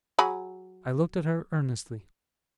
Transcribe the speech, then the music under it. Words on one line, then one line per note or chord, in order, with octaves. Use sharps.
I looked at her earnestly.
F#3 G#4 B5